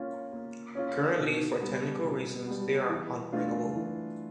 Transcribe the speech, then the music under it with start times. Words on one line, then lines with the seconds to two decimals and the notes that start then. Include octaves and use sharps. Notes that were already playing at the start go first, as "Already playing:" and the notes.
Currently for technical reasons they are unringable.
Already playing: A#3 C#4 F4
0.33 A#3
0.75 C#4 F4
1.18 B2
1.61 G3 B3
2.04 B2
2.46 G3 B3
2.89 E3
3.32 A3 D4 F4
3.75 E3